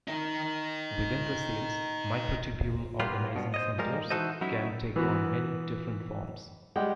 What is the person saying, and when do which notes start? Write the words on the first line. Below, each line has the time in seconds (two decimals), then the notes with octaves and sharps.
Within the cells, microtubule-organizing centers can take on many different forms.
0.08 D#4 A#4
3.00 G3 A#3 B3 F4
3.36 G2 B2
3.54 C5 C#5 D#5
3.78 F3 G3 G#3 A#4
4.10 E3 D#4 F#4 A4 C5 D#5
4.41 F#3 C#4 D#4 E4
4.96 E3 B3 F#4 A#4
6.76 G3 G#3 G4 F#5 G5